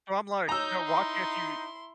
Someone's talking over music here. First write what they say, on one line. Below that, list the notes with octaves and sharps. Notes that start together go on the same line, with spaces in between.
So I'm like, you know, why can't you
D#4 C#5 A#5 E6 G6
E4 C6